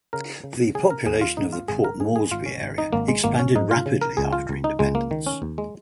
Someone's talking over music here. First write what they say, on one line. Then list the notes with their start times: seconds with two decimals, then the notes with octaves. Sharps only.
The population of the Port Moresby area expanded rapidly after independence.
0.13 C#3 A#4
0.44 C#3
0.75 C#3 G#4
0.90 A#4
1.06 D#2 G#4
1.21 F4
1.37 G#2 D#4
1.53 F4
1.68 G#1 G#4
1.84 A#4
2.00 G#2 G#4
2.16 G#4
2.31 G#1 F4
2.46 C#4
2.61 G#1
2.78 D#4
2.93 G#1 A#3
3.08 G#3
3.24 G#1 A#3
3.39 C#4
3.56 G#2 D#4
3.71 F4
3.86 C#3
4.02 A#4
4.17 C#2 G#4
4.33 F4
4.49 C#2
4.64 D#4
4.79 C#2 G#3
4.95 A#3
5.11 D#3
5.27 C#4
5.42 D#2
5.58 G#3